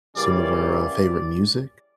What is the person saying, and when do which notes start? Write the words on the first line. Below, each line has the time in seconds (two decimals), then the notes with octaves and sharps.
some of our, uh, favorite music,
0.15 C#3 E3 G3 A#3 C#4 D5
0.57 D5